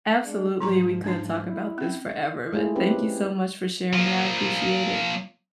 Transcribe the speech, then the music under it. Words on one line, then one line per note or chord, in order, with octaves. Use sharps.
Absolutely, we could talk about this forever. But, thank you so much for sharing. I appreciate it.
G#3 D4
G#2 F3 F#3 A#5 C#6
D4 D#4 F4
E4
C4 C#4
G#3 A3 E4 F4 G#4
C4 C#4 G4 A4 B4
F3 A#3